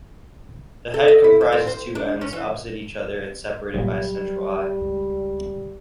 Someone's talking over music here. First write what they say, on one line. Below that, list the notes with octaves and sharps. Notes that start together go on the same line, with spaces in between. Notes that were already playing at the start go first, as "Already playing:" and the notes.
The head comprises two ends, opposite each other and separated by a central eye.
A4
D#5
E4
D#2
C4
C5
D4
C#4
E3
C2 A#2 F#3 G3
C#2